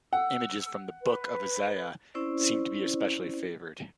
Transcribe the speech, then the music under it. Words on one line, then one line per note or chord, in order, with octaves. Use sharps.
Images from the Book of Isaiah seem to be especially favoured.
F#5 E6
B4
C4 C#4 E4 C5 D5